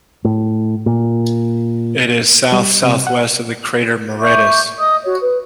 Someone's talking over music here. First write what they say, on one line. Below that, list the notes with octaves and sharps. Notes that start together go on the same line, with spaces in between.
It is south-southwest of the crater Moretus.
A2
A#2
G3
C3
F#5
E5 C#6 D6 G6
D#5 D#6
F#4 C#5
B4